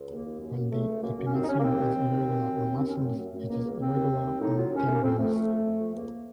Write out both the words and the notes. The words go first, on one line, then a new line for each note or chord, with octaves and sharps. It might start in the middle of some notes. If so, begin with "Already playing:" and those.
While the epimysium is irregular on muscles, it is regular on tendons.
Already playing: C#2
D#2 A#3
D#2
F#2 A#3
F#2
C#2 A3
C#2
F#2 A#3
F#2
C#4
D#2 C4
D#4
D#2 C#4
A#3
D#2 C4
D#2
D#2
D#2
F#2
F#2
D#2
D#2
C4
F#2 C#4
F#2 C4
A3
F#2
F#2
C#2 A#3
C#2
A#3
D#2 C4
D#2
D#2
D#2
A2 D#4
F#3 F4
D#2 C#4
D#2 A3
A#3
F2 C4
F2 A3
F2
F2
F2
F2
C#2 A#3